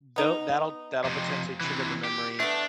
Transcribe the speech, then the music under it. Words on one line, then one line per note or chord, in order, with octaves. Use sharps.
though that'll that'll potentially trigger the memory,
B3 D#4
F2 C3
C3 E3
G4
A3 B3 D4